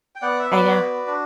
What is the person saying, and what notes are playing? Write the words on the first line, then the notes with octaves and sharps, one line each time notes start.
I know.
G5
B3 D5 F#5
E5
B3 B4 D5
F#4
D4